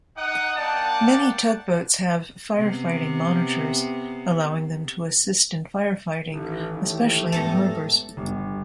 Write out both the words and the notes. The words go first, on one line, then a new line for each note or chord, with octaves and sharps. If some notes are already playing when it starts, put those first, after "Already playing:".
Many tugboats have firefighting monitors, allowing them to assist in firefighting, especially in harbors.
D#4 F#5 D#6
A#3 D4 D5 F#5 G5 A5
C3 B3
A1 D#3 E3
A3 C#4 G4
G#2 B3 A4 A5 A#5
G1